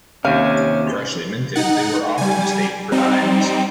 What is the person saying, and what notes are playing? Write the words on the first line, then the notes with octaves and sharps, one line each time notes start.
Freshly minted, they were often mistaken for dimes.
D#2 C3 C#4 F5
D#4 F#5
G3 G#5
G3 C4 D#4